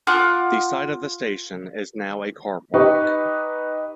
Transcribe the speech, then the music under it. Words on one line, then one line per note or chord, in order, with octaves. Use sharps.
The site of the station is now a car park.
F4 F#5 D6 F#6
D#4 G4 B4 C#6